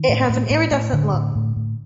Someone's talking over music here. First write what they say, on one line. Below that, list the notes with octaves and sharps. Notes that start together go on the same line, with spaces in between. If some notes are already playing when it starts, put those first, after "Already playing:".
It has an iridescent look.
Already playing: D#3
A2
A2
A2
A2
A2 D3
A2
A2
A2